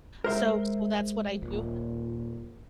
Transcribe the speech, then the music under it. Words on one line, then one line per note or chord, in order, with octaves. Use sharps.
so so that's what I do,
G#3 A#4 C5 E5
D#1 A#2